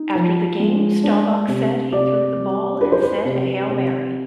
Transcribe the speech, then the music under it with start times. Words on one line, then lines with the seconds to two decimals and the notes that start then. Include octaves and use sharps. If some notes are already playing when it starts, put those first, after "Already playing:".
After the game, Staubach said he threw the ball and said a Hail Mary.
Already playing: D#4
0.15 F3
0.60 G#3
1.04 D4
1.48 C3
1.92 C3 D5
2.36 G3
2.81 D4 B4
2.92 C5
3.03 B4
3.25 C3
3.69 C3